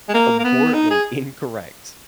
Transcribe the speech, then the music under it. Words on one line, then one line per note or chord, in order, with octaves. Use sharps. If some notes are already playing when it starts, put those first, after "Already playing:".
abhorrently incorrect
G#3
A#3
A#3
B3
D#4
G#4